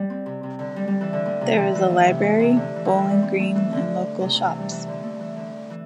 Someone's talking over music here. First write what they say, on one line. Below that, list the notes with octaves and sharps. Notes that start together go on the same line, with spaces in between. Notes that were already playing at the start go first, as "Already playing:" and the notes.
There is a library, bowling green and local shops.
Already playing: G3
C4
C3
C3
D3
G3
G3
E3
D3
A2
C3
D3 E3
E3
A2
C3
A2
C3
D3
E3
D3
E3
G3
C4
A3
E3
D3
C3
C3
E3
G3
E3
D3
A3
E3
D3
E3